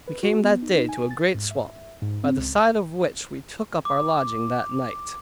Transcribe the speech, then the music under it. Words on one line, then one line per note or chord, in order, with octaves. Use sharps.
We came that day to a great swamp, by the side of which we took up our lodging that night.
B4
F#4
B3
D#4
D#4
G#5
A6
G#2
E5
G#2
C4
C#2
D6